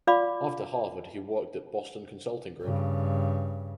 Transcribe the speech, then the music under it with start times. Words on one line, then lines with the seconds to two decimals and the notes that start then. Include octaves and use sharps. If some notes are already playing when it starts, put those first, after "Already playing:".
After "Harvard" he worked at Boston Consulting Group.
0.07 F4 D5 F5 B5 D6
2.63 G2 C#3